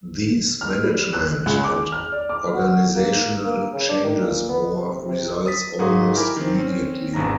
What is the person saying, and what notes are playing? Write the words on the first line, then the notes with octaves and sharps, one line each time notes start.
These management and organisational changes bore results almost immediately.
F6
G3
F#6
C#2
D6
F6
D5
D6
F#4
A#3
A#3
C#3
D4
D#3
A#2
B3
C3
C3
D#6 A6 B6
G#2 F#4 G#4 F5 D#6
E4 G4 A#4 G#5 D6
D#3 C4
C4 C#4
G#1 E2 G2 C3 A#5 A#6